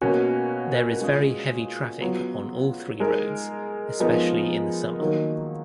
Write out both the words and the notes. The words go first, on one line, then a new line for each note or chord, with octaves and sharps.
There is very heavy traffic on all three roads, especially in the summer.
B2 A#3 C#4 F#4
G#3 C#4 F4 G#4
F#3 B3 F4
G#3 D#4 A#4
F3 G#3 B3 D#4 A#4
D#3 F#3 A#3 D#4